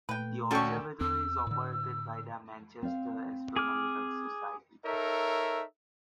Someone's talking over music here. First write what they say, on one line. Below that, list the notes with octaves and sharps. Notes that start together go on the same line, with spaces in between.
The observatory is operated by the Manchester Astronomical Society.
A#2 A3 B4 G5
D2 C#4 D4 F#4 A4 G5 A5 C#6
E2 C4 E6
A2 D3
C4 F5
G#4 D6 F6
D#4 A4 A#4 C#5 E5